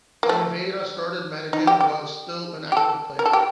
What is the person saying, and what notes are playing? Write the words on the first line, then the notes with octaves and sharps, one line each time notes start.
Oliveira started managing while still an active player.
A#3
A3
D#4
G4
G4
G4
A4
A#4
A4
G4